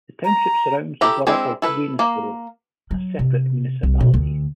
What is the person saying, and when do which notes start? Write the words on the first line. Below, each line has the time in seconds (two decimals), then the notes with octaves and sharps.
The township surrounds the borough of Waynesboro, a separate municipality.
0.25 A#5
1.01 E4 G4 A4 E5 A#5
1.27 G#3 C4 D4 E4
1.62 E4 A4 B4
1.99 A#3
2.91 F#3
3.19 C3
3.83 C2
4.00 B2
4.14 D2